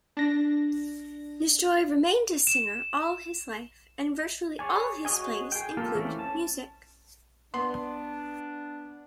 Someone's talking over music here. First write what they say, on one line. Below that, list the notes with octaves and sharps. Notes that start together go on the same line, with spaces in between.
Nestroy remained a singer all his life, and virtually all his plays include music.
D4 A#6
E7
G#4 C#5 D5 G#5
F#4 G#4 C#5 D#5 G#5
G#4 G5
A#3 F4 G4 A4
E3 A3 A#3 C4 C#4
C#4 A5
B3 D4 C6 F#7